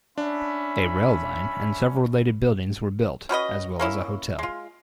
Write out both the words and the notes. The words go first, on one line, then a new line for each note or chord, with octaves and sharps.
A rail line and several related buildings were built as well as a hotel.
C#4 D4 E5 B5
C#4 F#4 B4 D#5
A#3 C#4 E4
G#3 F4